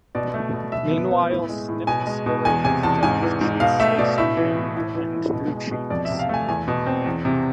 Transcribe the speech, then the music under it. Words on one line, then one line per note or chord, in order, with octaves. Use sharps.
Meanwhile, Sniff and Scurry have found "Cheese Station N," and new cheese.
B2 D5
A3
B2
B2 E5
B3
B3
A2
G#3
A2
B2 G#5
G#3
B2
E2 G#5
C3 G#5
E2 A5
G#2 G#5
E3
G#2
B2 F5
A3 E5
B2 D5
A2 E5
E3
A2
A2
E3
A2
B2
G#3
B2
F2 D5
E5
C3
F5
A3 G#5
E2 G#5
B2
C4
E2
C3